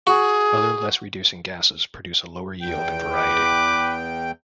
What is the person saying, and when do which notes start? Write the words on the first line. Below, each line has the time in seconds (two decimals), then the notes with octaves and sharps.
Other less reducing gases produce a lower yield and variety.
0.07 F#4 G#4
2.62 E2 G5
3.12 B4 D6